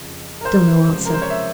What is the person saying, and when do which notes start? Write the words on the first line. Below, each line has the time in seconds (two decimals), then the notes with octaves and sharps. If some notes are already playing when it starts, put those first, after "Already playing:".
Still no answer.
Already playing: F2 C#3 F3
0.41 A#4
0.45 C5
0.88 C#2 C3 F3 G#3
1.05 A#4
1.14 C5
1.22 C#5
1.30 E5